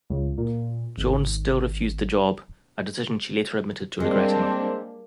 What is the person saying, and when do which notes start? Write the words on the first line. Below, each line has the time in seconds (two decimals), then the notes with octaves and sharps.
Jones still refused the job, a decision she later admitted to regretting.
0.10 C#2
0.38 A#2
0.97 G#1
4.00 G3 G#3 A#3 C4 D4